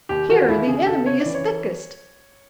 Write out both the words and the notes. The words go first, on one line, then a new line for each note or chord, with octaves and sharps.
Here the enemy is thickest!
D#2 G4
E3 F#4
F4
D#2 E4
C#3 G#4
C#3 A4
C#3 C#5
D5
E3
C#5